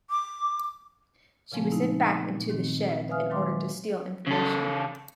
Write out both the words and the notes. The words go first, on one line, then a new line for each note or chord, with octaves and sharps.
She was sent back into The Shed in order to steal information.
D6
A#2 C#3 F3 G#3 A3 C4
B3 D#4 E4
A#2
D#3 C4
B4 E5 F5 G#5 D#6 F6
D#3 F#3 G#3 C6 D6
C#3 A4